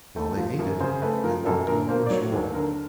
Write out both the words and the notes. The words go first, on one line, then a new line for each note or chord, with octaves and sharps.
While they ate it, they walked along the shore.
A3
F3
F#2
C#3 C5
A3 B4
F3 A#4
F#2 A4
D3 A#4
A#3 C5
D5
F#3 C#5
D#2
D3 A#4